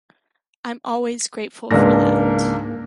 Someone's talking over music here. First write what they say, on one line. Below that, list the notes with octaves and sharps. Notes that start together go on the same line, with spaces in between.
I’m always grateful for that.
C#2 G#2 A#3 D4 A#6